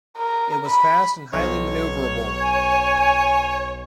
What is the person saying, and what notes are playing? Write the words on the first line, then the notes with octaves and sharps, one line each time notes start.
It was fast and highly maneuverable.
A#4
B5
B1 C#5
G#5